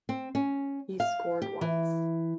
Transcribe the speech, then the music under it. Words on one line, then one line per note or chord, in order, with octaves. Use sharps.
He scored once.
C4
C#4
F5
G4
E3